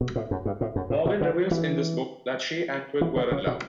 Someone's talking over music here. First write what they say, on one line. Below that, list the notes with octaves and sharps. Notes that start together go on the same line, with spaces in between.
Maugin reveals in this book that she and Twig were in love.
B2
A2
F#2
G2
A2
F#2
A2
B2
D3
E3
E3
D3
C#3
B2